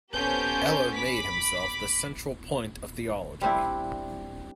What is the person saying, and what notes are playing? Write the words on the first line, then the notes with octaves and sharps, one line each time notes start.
Eller made himself the central point of theology.
B3 C#4 G4 A4 C5 G6
B5 D6 B6
G3 C4 D4 E4